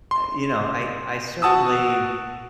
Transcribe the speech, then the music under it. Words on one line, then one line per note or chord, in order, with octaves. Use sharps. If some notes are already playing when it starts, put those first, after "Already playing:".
you know, I I certainly
C6
F#4 F#5 A5 D#6 E6